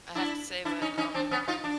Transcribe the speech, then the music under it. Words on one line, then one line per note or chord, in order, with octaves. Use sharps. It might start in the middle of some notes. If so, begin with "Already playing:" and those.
I have to say that, um,
D4 E4
D4 E4
C#4 D#4
C#4 D#4
C4 D4
B3 C#4
D#4 F4
D4